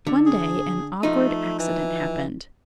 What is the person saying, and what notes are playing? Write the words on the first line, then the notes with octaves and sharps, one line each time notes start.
One day an awkward accident happened.
D3
G#4
F3 A3 D#4
E3